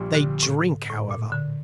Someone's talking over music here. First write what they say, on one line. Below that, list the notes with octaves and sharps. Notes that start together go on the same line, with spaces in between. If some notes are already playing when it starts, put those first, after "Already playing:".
They drink, however.
Already playing: A#1 A#2 G3
D3
A2
A2
A#2
D3